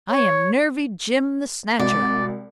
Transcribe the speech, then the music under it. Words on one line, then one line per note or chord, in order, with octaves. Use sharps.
I am Nervy Jim the Snatcher.'
C#5
C2 G#3 F#4 D5